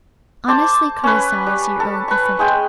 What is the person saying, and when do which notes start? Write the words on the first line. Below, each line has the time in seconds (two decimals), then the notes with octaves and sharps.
Honestly criticise your own effort.
0.48 C5 A5 D6
1.04 C#4 B4
1.47 G3
1.80 A4
2.08 B4 C#6
2.39 G#3 G#4 G5 C6